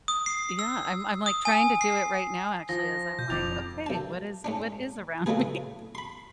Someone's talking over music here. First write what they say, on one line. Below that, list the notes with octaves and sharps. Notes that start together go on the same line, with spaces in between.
Yeah, I'm I'm, like, trying to do it right now actually as I'm, like, "Okay, what is what is around me?"
D#6
C7
E6
D#6
G#5
C7
F3 A#6
B2 G6
E1 F2 D6 A6 F7
B1 A5
G#2 C#4 D4
A2 C#3 F#3 A3 B3 G#4
B5 C6